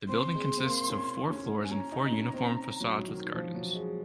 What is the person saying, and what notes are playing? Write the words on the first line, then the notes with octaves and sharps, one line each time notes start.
The building consists of four floors and four uniform facades with gardens.
C4 C6
G#3
C4
A#3
C#4
C#4
G#5
C#4 A#5
D#4
D#4
C#4
C4
F#3
D#3
F3
F#3
G#3